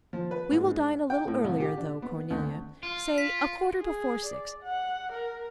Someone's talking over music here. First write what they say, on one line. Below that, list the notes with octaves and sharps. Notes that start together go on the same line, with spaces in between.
We will dine a little earlier, though, Cornelia, say a quarter before six.
F3
B4
G#2
G5
A2
C2
G4
D4
B3
D2
F4
B6
G#4
D5
F#5
A#4